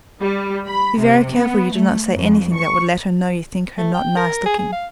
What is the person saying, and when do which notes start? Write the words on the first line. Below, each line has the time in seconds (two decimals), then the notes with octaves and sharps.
Be very careful you do not say anything that would let her know you think her not nice looking.
0.20 G3
0.66 B5
0.98 C3
1.36 B3
1.72 A3
2.15 F2
2.54 C#6
3.78 A3
3.94 G5
4.17 A#4
4.46 G#4
4.59 G#4
4.73 F5